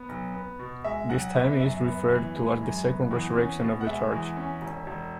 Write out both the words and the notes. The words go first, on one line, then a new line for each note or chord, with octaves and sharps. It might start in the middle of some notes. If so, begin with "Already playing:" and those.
This time is referred to as the "second resurrection" of the church.
Already playing: B3
B1
B3
B2
G#3 E5
B1 F#5
B3 E5
F#2 E5
B3
E3
G#3
F#2
B3
E2
C#4
B2
F#5
G#3 E5
E2
C#4
E1
E1